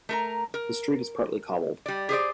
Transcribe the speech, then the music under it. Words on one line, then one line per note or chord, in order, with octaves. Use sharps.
The street is partly cobbled.
A3 A#4 A#5
A#4
G3 D5
G4 G#4 C5 D5